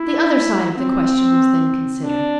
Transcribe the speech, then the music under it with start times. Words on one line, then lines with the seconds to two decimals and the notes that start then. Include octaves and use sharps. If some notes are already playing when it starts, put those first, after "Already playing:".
The other side of the question was then considered.
Already playing: E4
0.75 C4
2.03 D4